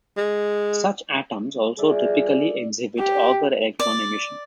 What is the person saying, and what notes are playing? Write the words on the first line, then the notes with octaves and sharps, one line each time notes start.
Such atoms also typically exhibit Auger electron emission.
G#3
G3 F4 G#4 D5 E5
G4
D5